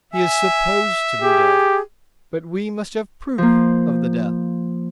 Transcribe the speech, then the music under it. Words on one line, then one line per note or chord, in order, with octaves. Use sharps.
He is supposed to be dead, but we must have proof of the death.
E5 G#5
G4 G#4
F3 A#3